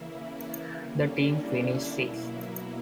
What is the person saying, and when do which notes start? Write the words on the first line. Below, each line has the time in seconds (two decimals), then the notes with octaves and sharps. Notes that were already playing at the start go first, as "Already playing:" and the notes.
The team finished sixth.
Already playing: C#3 E3 A#3 E4
0.71 D3 G3 A#3 C#4
1.01 D4
1.31 E4
1.91 B2 F#3 A#3